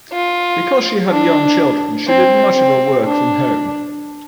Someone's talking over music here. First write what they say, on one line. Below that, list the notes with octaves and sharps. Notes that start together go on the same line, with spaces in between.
Because she had young children, she did much of her work from home.
F4
D4
C4
C4
D4